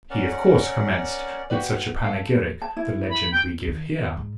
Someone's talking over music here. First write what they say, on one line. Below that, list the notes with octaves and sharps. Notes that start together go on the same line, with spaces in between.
He of course commenced with such a panegyric the legend we give here.
C#4 A#4 D5 F#5
A#3 F#4 G4 B4 D5
A4 F5
A5
E4
B5
G5
D#3
G#2